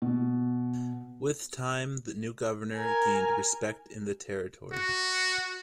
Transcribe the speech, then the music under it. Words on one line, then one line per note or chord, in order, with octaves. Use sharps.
With time, the new Governor gained respect in the territory.
B2
A#4 G#5
F#4